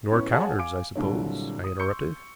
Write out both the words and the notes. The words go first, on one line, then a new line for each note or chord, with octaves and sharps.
"Nor counters, I suppose," I interrupted.
A2 B3 C#4 C#6
G#4 C#5 F5 F#5 G#5 A5
F5 G#5 D6 D7
C2 A#2 D3 F#3
D#6
C6 C#6 E6 G6 C#7